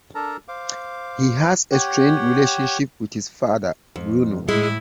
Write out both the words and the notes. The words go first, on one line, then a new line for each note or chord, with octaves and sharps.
He has a strained relationship with his father, Bruno.
D4 A4 A#4 A5 A#5
C5 F5 D6
G4 C#5 F#5 G5
F2
A2 G#3 E4